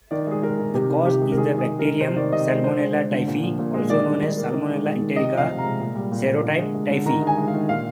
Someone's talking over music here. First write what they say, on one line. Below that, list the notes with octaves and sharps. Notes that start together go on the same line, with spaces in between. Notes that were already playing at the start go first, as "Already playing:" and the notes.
The cause is the bacterium "Salmonella" Typhi, also known as "Salmonella enterica" serotype Typhi.
D#3 D5
G#3 G#4
G#3 A#4
D#3
C3 G4
D#3
C3 G4
G#3
A#4
D#3 G#4
G#3 G#4
G#3
A#4
D#3
C3 C5
D#3 D5
C3 D#5
G#3 C5
D3 C5
G#3
G#3
D3
A#2
F3
A#2
G#3
D#3 D5
G3
D#3
A#3
D#3
G#3
G#3
D#3
C3 D#5
F3
F5
C3
A#5
G#3
A#2
G3
A#2
A#3
D3
G#3
G#3
D3
D#3 A#5
G#3
G#5
G#3
F5
D#3
A#2 F5